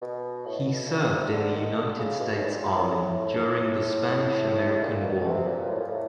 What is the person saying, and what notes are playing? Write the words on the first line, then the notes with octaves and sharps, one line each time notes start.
He served in the United States Army during the Spanish-American War.
B2
A2
B2
A#2
C3
D3
D#3
D3
C#3
B2
A2
A#2
A2
A2
A#2
B2
C3
A#2
A2
A#2
A2